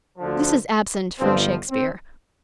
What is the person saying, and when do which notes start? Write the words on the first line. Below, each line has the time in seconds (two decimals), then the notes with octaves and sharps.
This is absent from Shakespeare.
0.18 D2 D3 F3
1.19 G1 G2 F3 C4
1.70 C4